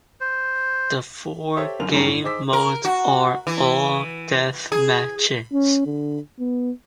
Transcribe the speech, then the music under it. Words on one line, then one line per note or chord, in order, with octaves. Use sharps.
The four game modes are all deathmatches.
C5
G4 A4 C5 C#5 E5
F#1 F#2 D3 A#4 F7
B1 G2 D#3 C#4 G4 A#5
A2
D#4 G#4 C5 D6 E6 B6
A#4
F#4
E3
G#4
C#4
D3
B3